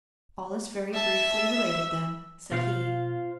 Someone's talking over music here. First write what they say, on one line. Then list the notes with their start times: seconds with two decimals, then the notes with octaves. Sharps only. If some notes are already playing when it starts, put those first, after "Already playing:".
"All is very briefly related, then," said he.
0.94 E5 A5
1.56 E6
2.52 B2 F4 C5 F5